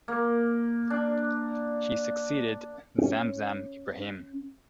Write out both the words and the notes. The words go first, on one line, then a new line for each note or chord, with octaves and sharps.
She succeeded Zamzam Ibrahim.
A#3
D4
C4 C#4